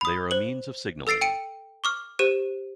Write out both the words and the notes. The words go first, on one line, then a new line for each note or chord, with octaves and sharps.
They are a means of signaling.
B5 D#6
C5 F#7
A4 E6 A6 C7 D7
G5 D7 D#7
C#6 D6 F6
G4 C5 E7